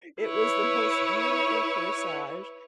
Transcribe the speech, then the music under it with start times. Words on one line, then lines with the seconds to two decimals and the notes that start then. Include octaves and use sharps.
it was the most beautiful corsage,
0.23 E4 B4 C#5